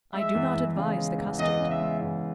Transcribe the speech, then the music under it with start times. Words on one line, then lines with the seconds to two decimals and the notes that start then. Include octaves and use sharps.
I do not advise the custard.
0.14 G#3 E5
0.35 E2
0.55 E2
0.76 C#3
0.97 G#3
1.18 E2
1.39 E2 D#5
1.59 C#3
1.70 E5
1.80 G#3
2.01 E2